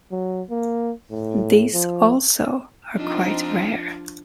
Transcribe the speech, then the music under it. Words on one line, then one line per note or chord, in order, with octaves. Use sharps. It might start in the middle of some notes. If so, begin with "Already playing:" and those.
These, also, are quite rare.
F#3
A#3
A2
F3
F3 C4 D4 D#4 F4